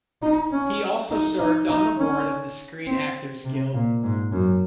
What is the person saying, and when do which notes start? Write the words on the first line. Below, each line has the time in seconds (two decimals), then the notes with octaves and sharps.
He also served on the board of the Screen Actors Guild.
0.22 D#4
0.51 C#4
1.10 D#4
1.39 D#4
1.69 D#4
1.98 C#4
2.86 C4
3.45 C3
3.74 A#2
4.03 G#2
4.33 F#2